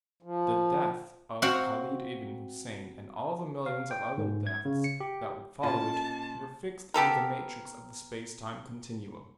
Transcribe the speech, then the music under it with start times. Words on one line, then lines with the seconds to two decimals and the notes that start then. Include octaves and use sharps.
The death of Khalid ib'n Hussein, and all the millions of other deaths that would follow it, were fixed in the matrix of the space-time continuum.
0.23 F3
1.42 C4 F#4 C5 F5 F#5
3.66 F5
3.91 G5
4.18 G#2
4.47 G#6
4.65 C#3
4.84 C#7
5.00 G4
5.63 A#2 A#3 C#4 D#5 A5
6.94 B3 G4 A4 A#4